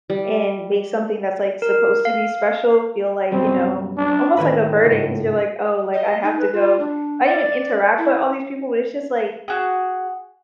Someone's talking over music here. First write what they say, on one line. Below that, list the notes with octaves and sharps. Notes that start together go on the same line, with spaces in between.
and make something that's, like, supposed to be special feel like, you know, almost like a burden 'cause you're like, "Oh, like, I have to go." I don't even interact with all these people, but it's just, like,
G3
A#4
F5
F#2 B2 G3 C4
D4
A2 D#3 B4 B5
C#2 G#2
D#5
D#4
B4
F4
D4
D5
E4
F#4 G#4